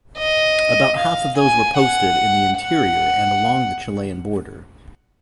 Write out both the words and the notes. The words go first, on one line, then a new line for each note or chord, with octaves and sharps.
About half of those were posted in the interior and along the Chilean border.
D#5
F5
G#5
F#5
F#5